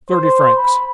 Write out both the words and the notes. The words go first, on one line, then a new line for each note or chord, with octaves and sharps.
"Thirty francs."
C5
B5